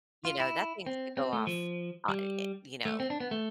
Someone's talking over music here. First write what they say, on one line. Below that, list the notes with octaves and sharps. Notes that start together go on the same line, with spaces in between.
You know, that thing could go off, o i eh you know
F4
E4
C4
C4
A3
F3
G3
A3
C4
D4
B3
A3